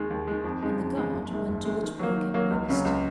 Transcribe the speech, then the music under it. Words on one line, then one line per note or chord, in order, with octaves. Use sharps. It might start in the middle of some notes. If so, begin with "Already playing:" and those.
And the Guard went to its work in earnest.
Already playing: D#2 D#3 G#3
D#2
D#3 G#3
F2
C#3 G#3 D#4
F2
C#3 G#3 D#4
F#1
F#2 D#3 G#3
F#1
F#2 D#3 G#3
D#3
F#3 A#3
D#3
F#3 A#3
C#2
C#3 F#3 C#4
C#2